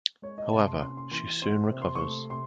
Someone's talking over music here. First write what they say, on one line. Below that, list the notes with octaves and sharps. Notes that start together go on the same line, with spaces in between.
However, she soon recovers.
G#3 C#5
D#5
C3 A5
C6
C#4 C6
C6
E3 C6
C4 C6
C3
C6
C#6
A3 C6
C3 C6